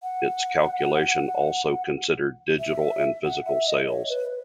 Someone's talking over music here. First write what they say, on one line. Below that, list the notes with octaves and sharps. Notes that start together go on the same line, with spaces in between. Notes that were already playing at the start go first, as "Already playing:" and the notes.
Its calculation also considered digital and physical sales.
F#5
E5
F#5
E5
D#5
C#5
B4